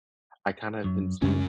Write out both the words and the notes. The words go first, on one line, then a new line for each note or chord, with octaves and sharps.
I kinda have been seeing
F#2
C#2 F#2 C#4